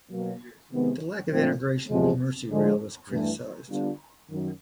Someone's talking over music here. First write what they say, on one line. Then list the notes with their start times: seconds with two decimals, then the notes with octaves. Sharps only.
The lack of integration with Merseyrail was criticized.
0.11 B2 F#3 A#3
0.71 C3 D#3 G#3 B3
1.31 A#2 F3 A3 C4
1.90 E2 C3 F3 G#3
2.50 D3 F3 G#3
3.09 G2 E3 A3
3.70 D3 G3 B3 D4 F4
4.29 F#2 D#3 F#3